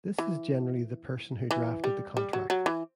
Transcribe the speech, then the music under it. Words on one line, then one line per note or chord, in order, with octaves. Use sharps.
This is generally the person who drafted the contract.
E3
E3
G3
G3
F#3
F#3
E3